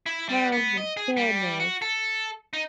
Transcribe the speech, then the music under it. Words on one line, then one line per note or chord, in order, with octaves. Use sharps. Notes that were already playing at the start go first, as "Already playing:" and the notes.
Oh my goodness.
E4
G3
B3
D#5
G#4
G3
F#4
A4
D#4